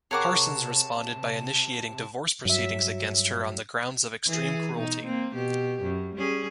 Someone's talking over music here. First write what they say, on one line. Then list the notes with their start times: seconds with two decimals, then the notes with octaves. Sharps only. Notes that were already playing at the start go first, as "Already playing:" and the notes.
Parsons responded by initiating divorce proceedings against her on the grounds of "extreme cruelty".
0.11 C3 G#4 A#4 C#5 F#5 A5 D6
2.45 G2 F#3 E5
4.26 E3 G#4
4.75 B2 D#4
5.05 A#3 C4
5.35 B2 G4
5.82 F#2
6.16 G3 C#4 G#4